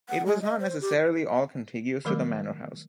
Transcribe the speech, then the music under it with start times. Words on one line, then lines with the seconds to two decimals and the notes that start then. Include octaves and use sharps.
It was not necessarily all contiguous to the manor house.
0.09 F#5
0.26 G#3
0.42 D#5
0.60 C5
0.81 G4
2.05 D#3 F#3 G3 A3 A#4 D6